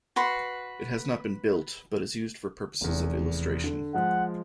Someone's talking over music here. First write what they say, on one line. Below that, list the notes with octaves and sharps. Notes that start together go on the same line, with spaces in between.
It has not been built, but is used for purposes of illustration.
F#4 B4 C6
F1 E2
D3
F3 G#3 F#5